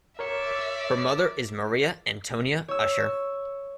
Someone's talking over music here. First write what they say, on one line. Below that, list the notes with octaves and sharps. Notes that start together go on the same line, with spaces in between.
Her mother is Maria Antonia Ussher.
A#4 C#5 D5 E5 C#7
C#5 E6